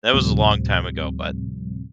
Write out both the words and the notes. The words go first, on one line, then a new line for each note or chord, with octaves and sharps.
That was a long time ago, but,
D2 A2 C3 F3 G3 C4